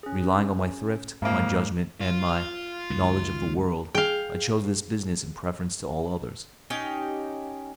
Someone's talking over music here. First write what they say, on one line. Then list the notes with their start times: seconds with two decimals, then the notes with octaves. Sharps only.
Relying on my thrift, my judgment, and my, knowledge of the world, I chose this business in preference to all others.
0.03 C#4 G#4
1.22 F2 G#2 F3 A#3 F5
2.01 F4
2.90 C#2 F#2 D#3
3.95 G#4 F5 G5
6.70 C#4 D#4 G4 G5